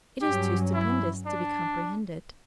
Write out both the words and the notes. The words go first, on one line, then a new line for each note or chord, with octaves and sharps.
It is too stupendous to be comprehended.
G2 F#3 C#4 G4
E4
D4